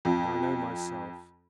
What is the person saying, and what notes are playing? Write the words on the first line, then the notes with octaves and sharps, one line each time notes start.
And I know myself.
F2